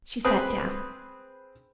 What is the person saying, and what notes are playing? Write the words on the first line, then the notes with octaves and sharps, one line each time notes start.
She sat down.
C4 G#4 B4 D#6